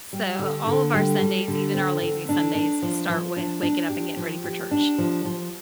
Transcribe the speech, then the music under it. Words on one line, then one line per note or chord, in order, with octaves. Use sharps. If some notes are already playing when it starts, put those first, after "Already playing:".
So, all of our Sundays, even our lazy Sundays, start with waking up and getting ready for church.
G3
D3
D3
G3
G3
D3
C4
D3
D4
D4
F3
F3
D4
D4
G4
F3
G4
D4
F3
F3